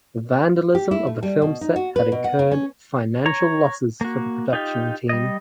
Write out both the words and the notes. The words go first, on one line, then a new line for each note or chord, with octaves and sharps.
The vandalism of the film set had incurred financial losses for the production team.
G4
E4
A3
G3
B2
D#4
F#4
B4
B2
F#5
C#3
C#4
C#5 A#5
A#3 F#4
D#4 F4 G4
G3 D#5